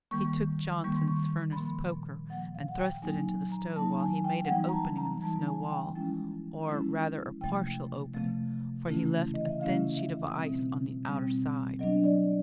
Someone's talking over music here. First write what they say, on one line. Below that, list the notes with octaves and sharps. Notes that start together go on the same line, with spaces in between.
He took Johnson's furnace-poker, and thrust it into the stove while he made an opening in the snow wall, or rather a partial opening, for he left a thin sheet of ice on the outer side.
D#3 G3 A#3 C#6
D#3 G3 A#3 C#6
C6
C#6
B5
A#2 F3 A#3 C6
A#2 F3 A#3 F#5
F5
F#5
G5
F#3 A#3 D#4 G#5
G#5
A#5
F#3 A#3 D#4 A5
G#5
G5
F#5
E3 G3 B3 D#4 G5
A#5
A5
A#5
E3 G3 B3 D#4 A5
G#5
G5
F3 G#3 C#4 E4
F3 G#3 C#4 E4
C3 F3 A3 G5
C3 F3 A3
C#3 E3 A3 C#4 E4
D#5
E5
C#3 E3 A3 C#4 E4 F5
E5
B2 G3 C4
B2 G3 C4
F#3 B3 D4 D#5
D5